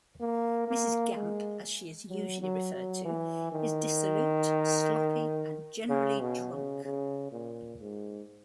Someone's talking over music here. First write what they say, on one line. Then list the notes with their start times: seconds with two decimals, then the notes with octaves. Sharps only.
Mrs. Gamp, as she is usually referred to, is dissolute, sloppy and generally drunk.
0.20 A#3
0.68 A#3
1.15 G#3
2.10 F#3
2.42 F#3
2.74 F#3
3.05 E3
3.52 D#3
5.89 C#3
6.21 B2
6.53 C#3
6.85 C#3
7.32 A#2
7.80 G#2